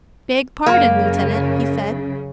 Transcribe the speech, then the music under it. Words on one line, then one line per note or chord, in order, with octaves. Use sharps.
"Beg pardon, lieutenant," he said.
F#2 C#3 A#3